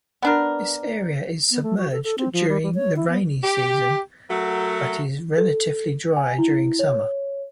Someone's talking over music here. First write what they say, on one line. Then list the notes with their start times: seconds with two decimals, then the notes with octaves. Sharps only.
This area is submerged during the rainy season but is relatively dry during summer.
0.22 B3 D4 A#4
1.51 B3
1.63 A3
1.78 F#4
1.92 A4
2.04 A4
2.18 C4
2.33 F3
2.49 G3
2.63 G3
2.74 C#5
2.96 E4
3.09 B3
3.44 G4
4.31 F#3 A3 A#4
5.38 A4
6.16 G#5
6.39 E4
6.79 C#5